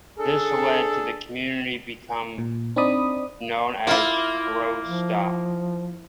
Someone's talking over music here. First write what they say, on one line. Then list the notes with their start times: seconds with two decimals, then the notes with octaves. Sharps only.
This led to the community become known as Groce's Stop.
0.19 D4 G#4 A4
2.38 A#2
2.76 C4 D4 D#4 D5 B5 D#6
3.87 A#3 E4 F4
4.85 F3